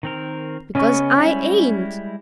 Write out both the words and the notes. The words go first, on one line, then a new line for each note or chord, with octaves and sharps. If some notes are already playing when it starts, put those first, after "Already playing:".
"Because I ain't."
D#3 C4 A#4
C#3 B3 C#4 D#5 C#6
G3 G#3 E4